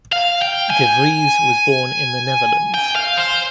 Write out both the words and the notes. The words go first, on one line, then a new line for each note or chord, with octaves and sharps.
De Vries was born in The Netherlands.
F5
G5
G#5
G5
F5
C5